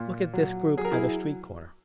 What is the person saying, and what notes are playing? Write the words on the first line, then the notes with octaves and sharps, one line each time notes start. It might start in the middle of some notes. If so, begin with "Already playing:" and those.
Look at this group at a street corner.
Already playing: A#2
F#3
F#3 G#4
A#4
E4 G#4